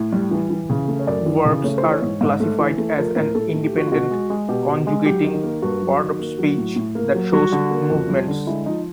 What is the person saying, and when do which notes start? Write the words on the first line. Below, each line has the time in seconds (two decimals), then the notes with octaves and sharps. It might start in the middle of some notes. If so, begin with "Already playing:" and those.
Verbs are classified as an independent, conjugating part of speech that shows movements.
Already playing: A2
0.12 G3
0.31 E3
0.50 E3
0.70 C#3
0.88 A3
0.99 C#5
1.07 F#2 D5
1.26 E3
1.45 C#3
1.64 A3 C#5
1.78 E3 C5
1.92 C#5
2.02 G#2
2.21 G#2
2.40 A3
2.59 E3
2.78 A3
2.97 F3 A#4
3.16 A2 A#4
3.35 A2 A4
3.49 A3 A4
3.63 G4
3.73 F3 F#4
3.87 F4
3.92 B2 F#4
4.11 G#3
4.30 G#3
4.49 B2 G4
4.68 B2
4.87 G#3
5.05 F#3 G4
5.24 D#3
5.43 A#3
5.62 G2 F#4
5.81 F#3
6.01 D#3
6.19 A#3
6.39 F#3
6.58 A2
6.76 A2
6.95 A#3
7.15 F#3
7.33 G3 F#4
7.52 D3
7.71 A#3
7.90 F2
8.09 G3
8.28 D3
8.47 G#3 E4
8.66 F3 D#4